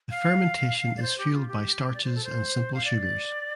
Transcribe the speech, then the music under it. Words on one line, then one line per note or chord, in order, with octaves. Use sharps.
The fermentation is fueled by starches and simple sugars.
F5
D5
C5
G4
F4
G4
D5
C5
A4
C5
F5
D5